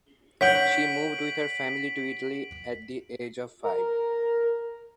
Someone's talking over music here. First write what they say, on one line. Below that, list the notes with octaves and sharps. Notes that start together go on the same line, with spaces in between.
She moved with her family to Italy at the age of five.
C#5 F#5 G6 B6 D7 F#7
A#4